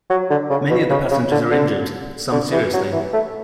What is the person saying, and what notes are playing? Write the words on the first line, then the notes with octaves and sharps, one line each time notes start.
Many of the passengers are injured, some seriously.
F#3
D3
C#3
B2
C#3
C#3
D3
D3
D3
E3
F#3
E3
A3